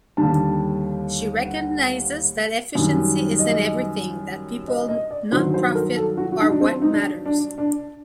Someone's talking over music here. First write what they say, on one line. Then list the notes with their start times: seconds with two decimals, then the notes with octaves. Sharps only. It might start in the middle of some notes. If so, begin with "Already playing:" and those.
She recognises that efficiency isn't everything, that people not profit are what matters.
0.17 D#2 D3 G3 A5
1.46 F#5
2.75 F#2 D#3 G3
3.39 D#5
4.68 D#5
4.89 D#5
5.11 D5
5.32 G2 D#3 F#3 C5
5.54 C5
5.75 A#4
5.96 A4
6.17 F#4
6.32 F#4
6.41 D#4
6.51 D4
6.61 C4
6.82 D#4
6.93 D4
7.26 D4
7.58 D4